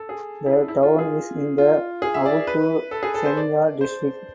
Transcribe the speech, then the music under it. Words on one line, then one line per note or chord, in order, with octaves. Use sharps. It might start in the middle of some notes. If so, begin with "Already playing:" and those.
The town is in the Awutu Senya district.
Already playing: A4
G#4
E4
E4
F4
G#4
F4
G#4
E5
D5
B4
A4
G#4
A4
C5
D5
C5